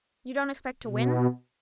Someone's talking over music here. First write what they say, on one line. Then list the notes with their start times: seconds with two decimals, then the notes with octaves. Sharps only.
"You don't expect to win?"
0.86 B2